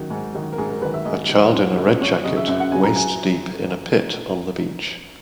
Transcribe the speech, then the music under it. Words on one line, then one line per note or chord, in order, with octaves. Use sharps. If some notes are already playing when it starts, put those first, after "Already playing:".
A child in a red jacket, waist deep in a pit on the beach.
Already playing: D#3 F#3
G#2
D#3 F#3
A#4
G#2 G#4
A#4
D#3 F#3 B4
E5
G#2 D#5
D#3 F#3
F#2
C#3 F#3
F#2 C#5
C#3 F#3 D#5
E5
F#2 E5
F#5
C#3 F#3 G#5
A#5
G#5